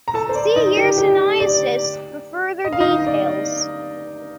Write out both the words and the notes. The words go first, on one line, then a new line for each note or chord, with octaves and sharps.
See yersiniosis for further details.
A#5
A4 A5
C5
D5
D#4 D#5
G4 G5
G4 G5
D5
D#5
F5
D#4 D#5
D5